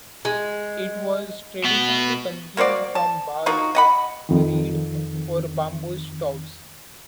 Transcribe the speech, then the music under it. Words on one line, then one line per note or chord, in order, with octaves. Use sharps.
It was traditionally consumed from jars with reed or bamboo straws.
G#3
B2 B3
A#3 F#4 C5 D5
A5
F3 A#3 D#4 F#4
D#5 F#5 B5
F2 D#3